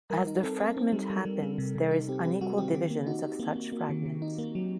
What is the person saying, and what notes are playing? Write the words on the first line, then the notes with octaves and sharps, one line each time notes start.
As the fragment happens there is unequal divisions of such fragments.
G3 A#4
D#4
C4 A4
C4
C4
G3
G3
G3
G3
C3
C3
D#4
C4 G4
C4 G4
G3 F#4
C4 G4
D#3 G4
A#3
D#4 F#4
D#4
A#3
A#3
A#3
D#3
D#3
D#4
A#3
F#3